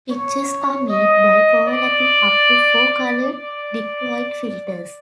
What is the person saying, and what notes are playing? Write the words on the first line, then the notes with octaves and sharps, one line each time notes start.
Pictures are made by overlapping up to four colored dichroic filters.
C#5
D#5
D5
D5